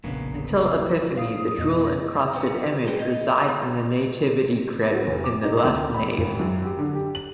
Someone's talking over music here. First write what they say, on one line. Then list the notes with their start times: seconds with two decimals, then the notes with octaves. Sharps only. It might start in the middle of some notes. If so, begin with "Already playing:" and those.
Until Epiphany the jewel-encrusted image resides in the Nativity crib in the left nave.
0.04 F1 A#1 C#3 A#3 B3 D4
1.17 D4 F5 D#6
1.58 F2 B2 A3 D#5
2.33 C3 B3 C4
2.87 F#4 G#4 B4 G5
2.99 D#5
3.48 C3
4.94 F#4
5.07 F1
5.24 D6
5.44 D#4
5.65 D2
5.94 B5
6.18 G#1
6.39 F#2
6.65 G4
6.79 D3
6.95 G4
7.15 F#7